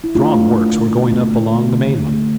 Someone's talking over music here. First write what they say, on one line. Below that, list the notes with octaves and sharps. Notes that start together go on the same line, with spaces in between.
Strong works were going up along the mainland.
E4
A3 D4 F4
A3
A3
D3
D3
A3
A3
D3
D3
D3
A3